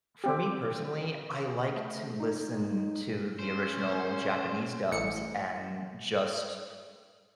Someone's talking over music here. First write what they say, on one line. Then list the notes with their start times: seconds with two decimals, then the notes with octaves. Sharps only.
for me, personally, I like to listen to the original Japanese dubs and just
0.24 C4 G4
1.77 A3
2.20 D#4
3.39 C#4 C5
4.92 A1 C#7